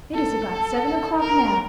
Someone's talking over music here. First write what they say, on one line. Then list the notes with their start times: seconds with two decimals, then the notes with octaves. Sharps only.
It is about seven o'clock now.
0.14 A4
1.19 A#4